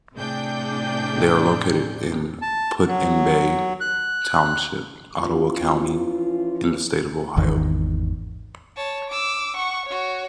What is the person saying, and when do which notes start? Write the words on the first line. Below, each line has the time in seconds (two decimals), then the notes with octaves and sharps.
They are located in Put-in-Bay Township, Ottawa County in the state of Ohio.
0.15 A2 C3 D4 G#4 G5 G6
2.42 A5
2.87 F#3
3.81 F#6
5.21 E3 F3 C#4 E4 F4
7.36 G#1 E2 D#3
8.77 C#5 A5
9.10 D6 E6
9.56 F#5 C#6
9.86 F#4 C#5